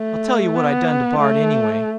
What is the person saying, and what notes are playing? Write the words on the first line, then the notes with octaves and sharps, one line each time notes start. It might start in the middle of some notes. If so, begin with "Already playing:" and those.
I'll tell you what I done to Bard, anyway.
Already playing: A3
B3
A3